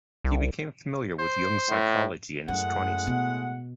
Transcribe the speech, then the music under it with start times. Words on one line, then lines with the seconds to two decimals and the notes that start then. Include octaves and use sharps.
He became familiar with Jung's psychology in his twenties.
0.25 C2
1.19 C5
1.70 A2
2.48 F#2 A2 G#3 F#5
3.07 B2